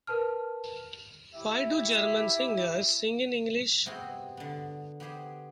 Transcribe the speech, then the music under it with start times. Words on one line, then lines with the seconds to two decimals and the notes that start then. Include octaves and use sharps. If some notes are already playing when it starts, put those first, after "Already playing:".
Why do German singers sing in English?
0.07 A#4 B4 A5 F6
1.35 E4 G4 E5
3.86 C3 B3 C4 F#4 G#4
4.37 D3 B3
5.00 B3 G4 G#4 C5